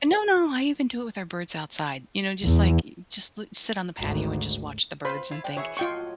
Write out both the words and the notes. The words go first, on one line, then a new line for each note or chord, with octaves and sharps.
No, no, I even do it with our birds outside. You know, just like you just loo sit on the patio and just watch the birds and think.
E2
G#1 D2
F4 B4 C5 B5
E4 F4 F5
F3 D4 G5
E3 G#4 C#5 E5
A2 F#3 F4 D#5 G5 C#6